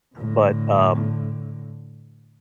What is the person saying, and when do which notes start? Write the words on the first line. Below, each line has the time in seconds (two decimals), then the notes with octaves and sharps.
But, um,
0.15 A2 D3